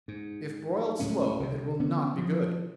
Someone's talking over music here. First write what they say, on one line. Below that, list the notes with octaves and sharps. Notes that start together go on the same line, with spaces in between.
If broiled slow, it will not be good.
G#2
C#2 A2 F#3 C#4
C2 C3
D3 B3 C#4
F3